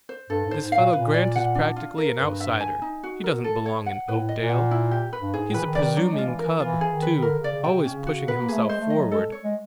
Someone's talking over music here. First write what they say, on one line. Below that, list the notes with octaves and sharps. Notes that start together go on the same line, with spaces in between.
This fellow Grant is practically an outsider; he doesn't belong in Oakdale. He's a presuming cub, too--always pushing himself forward.
C5
G2 A4
G#2
C5
G#2
F5
A#2
A#2 B4
D5
F#5
D4
F4
A#4
G2 B4
E5
G#5
D#4
F#4
A#4
A4
C#5
F#5
A2 B4
D#5
A#2
F#5
E4
G4
B4
G2
G#2 G#4
A2
E3 B4
D#3
E3 D5
D#3
F#3 D4
G#3
F4
E3
A#4
E3
E3 F4
G#4
D#3
B4
D#3
D3 A#4
C#3
D5
C#3
B2 G5
C3
C#3 C#4
F#4
B3 B4
A#3
A3 G#4
G#3 C5
A3
D#5
F#3
G#3 A4
C#5
G#3